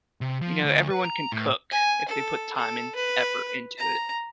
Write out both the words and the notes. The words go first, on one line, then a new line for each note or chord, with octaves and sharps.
you know, everyone can cook if they put time and effort into it.
C3
F3
D2
B4
A#5
A2
G#5
A4
A4
B4
A#5